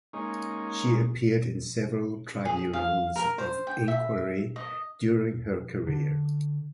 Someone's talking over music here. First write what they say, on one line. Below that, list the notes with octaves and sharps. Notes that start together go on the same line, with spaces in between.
She appeared in several tribunals of inquiry during her career.
G#3 A#3 C#4 D#4
G#4
F5
A#4
C5
G5
E5
D#5
D3